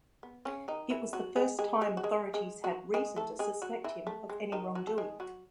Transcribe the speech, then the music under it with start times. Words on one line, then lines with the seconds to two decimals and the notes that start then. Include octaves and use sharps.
It was the first time authorities had reason to suspect him of any wrongdoing.
0.23 B3
0.45 C#3 C#4
0.68 D#3 D#4
0.90 E3 E4
1.13 F#3 F#4
1.36 G#3 G#4
1.59 G#3 G#4
1.81 G#3 G#4
1.97 F#4
2.03 G#3 G#4
2.34 G#3 G#4
2.64 F#3 F#4
2.94 G#3 G#4
3.16 A3 A4
3.39 G#3 G#4
3.62 F#3 F#4
3.84 E3 E4
4.07 A3
4.30 G#3
4.52 D#3 D#4
4.75 F#3 F#4
4.87 A4
4.98 G#3 G#4
5.20 F#3 F#4